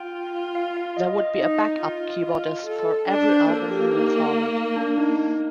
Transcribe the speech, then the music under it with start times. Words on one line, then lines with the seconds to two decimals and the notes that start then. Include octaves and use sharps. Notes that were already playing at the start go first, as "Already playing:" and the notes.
There would be a backup keyboardist for every album moving forward.
Already playing: F4 G5
0.55 F5
0.77 F5
0.97 D#5
1.18 D#5
1.39 D#4
1.81 F4
2.24 F4
2.66 A4
3.08 D4 D5
3.29 C5
3.50 A#3 A4
3.71 G4
3.92 D#4
4.76 D4
4.98 D#4
5.19 D#4